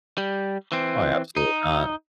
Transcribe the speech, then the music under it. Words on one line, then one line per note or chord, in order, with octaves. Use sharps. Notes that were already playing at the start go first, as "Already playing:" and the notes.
Oh, yeah, absolutely not.
G3
E3 C4
D#4